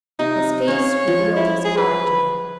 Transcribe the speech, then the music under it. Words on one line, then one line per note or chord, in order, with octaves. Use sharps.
His face revealed his character.
C3 D#4
C#4 C#5 F5
F3
E4
G#4
B4